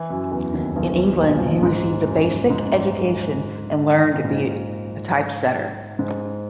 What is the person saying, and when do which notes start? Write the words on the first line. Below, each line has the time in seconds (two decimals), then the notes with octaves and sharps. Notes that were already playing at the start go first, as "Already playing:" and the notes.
In England, he received a basic education and learned to be a typesetter.
Already playing: E3 E4
0.10 F#2 F#3
0.32 E2 E3
0.54 D#2 D#3
0.75 B1 B2
1.19 A#2
1.28 B2
1.36 A#1 A#2
1.63 G#2
2.06 F#2
2.50 G#2
4.13 A#2
4.24 G#2
5.99 G#2